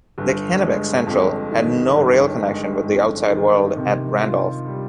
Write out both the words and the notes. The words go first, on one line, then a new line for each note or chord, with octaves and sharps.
The Kennebec Central had no rail connection with the outside world at Randolph.
G1
G#3
F2
D#3
G1
G#3
F2
D#3
C3
F4
G3